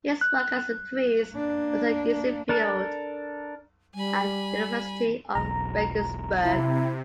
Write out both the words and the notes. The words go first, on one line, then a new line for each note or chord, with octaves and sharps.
His work as a priest was at Geisenfeld, at the University of Regensburg.
F#6
A#3 D4
D4 A4 A#4
G3 G#5 B5
E1 B1 A#5
C3 E4